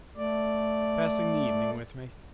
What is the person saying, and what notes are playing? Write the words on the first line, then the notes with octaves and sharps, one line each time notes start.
Passing the evening with me.'
A3 D5